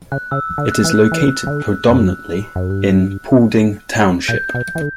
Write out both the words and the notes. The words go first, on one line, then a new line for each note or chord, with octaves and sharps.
It is located predominantly in Paulding Township.
C#3 F#6
C#3 E6
D3
F#6
E3
F#6
E3
C#3
D3
F#2
F#2
G2 F#6
A#2 G6
B2
E3
D3